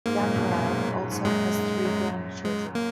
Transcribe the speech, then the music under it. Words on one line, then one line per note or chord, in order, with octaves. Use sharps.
Ganilau also has three grandchildren.
G#2 A#3
F#2 A#2
G#2 B2
F#2 A#2
G#2
F#2
G#2
G#2
F#2 A#2 G#3
G#2
F#2
G#3
A#3